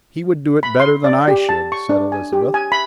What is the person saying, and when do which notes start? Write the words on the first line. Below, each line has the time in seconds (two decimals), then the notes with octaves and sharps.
"He would do it better than I should," said Elizabeth.
0.63 B5
0.80 C6
1.04 D5
1.28 G4
1.49 A5
1.72 C#6
1.89 D4
2.12 G#5
2.33 G4
2.54 G#5
2.72 B5